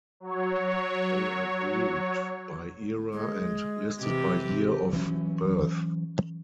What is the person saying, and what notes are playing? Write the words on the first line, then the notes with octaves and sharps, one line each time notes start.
They are grouped by era and listed by year of birth.
F#3 C#5
G#3
C3 E3 G4
E3 F#3 C#4